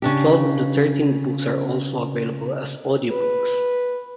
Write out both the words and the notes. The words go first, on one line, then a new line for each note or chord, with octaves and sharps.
Twelve of the thirteen books are also available as audiobooks.
C#3 D4 G4
B4